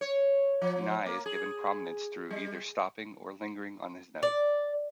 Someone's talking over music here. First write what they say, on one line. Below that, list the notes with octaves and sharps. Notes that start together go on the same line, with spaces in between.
Ni is given prominence through either stopping or lingering on this note.
C#5
F3
A#3
G#4
G3
D5